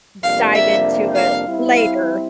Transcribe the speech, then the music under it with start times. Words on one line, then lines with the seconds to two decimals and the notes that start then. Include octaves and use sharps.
m dive into it later,
0.23 F2 C3 G3 A#3 D4 F5
0.55 E5
1.15 F5
1.46 G3 C4 E4
1.76 F5